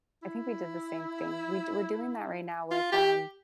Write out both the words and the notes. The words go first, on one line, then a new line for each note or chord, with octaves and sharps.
I think we did the same thing, we do we're doing that right now with, um,
E4
F4
G4